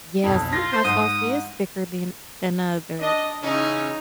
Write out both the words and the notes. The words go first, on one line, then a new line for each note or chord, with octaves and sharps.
Yeah, some hot sauce is thicker than than others.
B1 F2
F4 A#6
C5
G#2 D#6
D4 D#5
C#3 E3 C#4 D#4